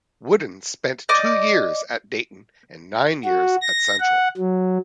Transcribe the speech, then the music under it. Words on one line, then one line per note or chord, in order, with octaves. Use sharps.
Wooden spent two years at Dayton and nine years at Central.
D5 D#5 D6 G6
F#4
A#6
F#5
F#3